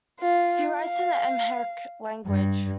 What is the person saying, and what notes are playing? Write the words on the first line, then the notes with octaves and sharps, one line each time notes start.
He writes in the Amharic language.
F4
F5
G2